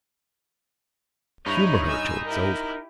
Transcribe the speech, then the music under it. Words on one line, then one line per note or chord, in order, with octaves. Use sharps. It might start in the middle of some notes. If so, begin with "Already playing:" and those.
Humour her till it's over.
G2 D#4 E4 C#5 B5
G#5 E6
E4 G4 A#4